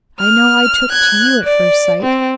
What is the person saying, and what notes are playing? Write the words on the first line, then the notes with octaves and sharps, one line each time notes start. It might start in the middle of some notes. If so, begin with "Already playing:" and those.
I know I took to you at first sight!
F6
F#6 G#6
D5
C4